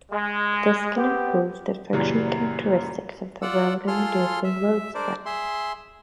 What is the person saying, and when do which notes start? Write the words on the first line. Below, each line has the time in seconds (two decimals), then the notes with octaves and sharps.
This can improve the friction characteristics of the road and reducing road spray.
0.12 G#3
0.97 B3 C4 G4
1.93 F#2 A#2 C#3 E3 G3
3.42 F4 D5 F#5 E6
3.88 F4 G#4 A4 C6 F6
4.44 E5
4.95 D4 A#4 C5 D5
5.26 G#4 E5 C6